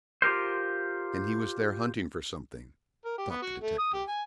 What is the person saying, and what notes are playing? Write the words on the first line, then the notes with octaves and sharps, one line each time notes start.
"And he was there hunting for something," thought the detective.
F4 G4 A#4 C5
A#4
G4
B3
F#4
A3
D#6
G4
G#5